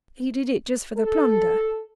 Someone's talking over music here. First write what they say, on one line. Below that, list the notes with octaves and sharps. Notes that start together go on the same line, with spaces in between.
He did it just for the plunder.
A4